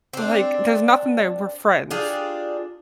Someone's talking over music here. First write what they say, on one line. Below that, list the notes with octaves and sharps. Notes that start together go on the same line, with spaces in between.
like, "There's nothing there, we're friends."
C4 D4
D4 F4 G4 G#4